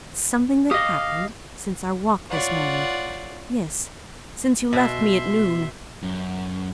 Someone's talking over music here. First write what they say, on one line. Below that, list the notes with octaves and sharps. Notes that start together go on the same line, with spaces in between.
It's something that happened since our walk this morning--yes, since you left me at noon.
G4 D#5 F5 D#6
F4 C#5 D5 F#5
B2 E5 C6
F#2